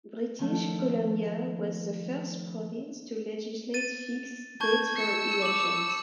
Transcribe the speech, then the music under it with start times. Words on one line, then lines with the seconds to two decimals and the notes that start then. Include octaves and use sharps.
British Columbia was the first province to legislate fixed dates for elections.
0.39 D#3 F3 A3
3.74 A6 D#7
4.61 A5 C#6 G6 G#6
4.96 E6 C#7
5.42 D6 F#7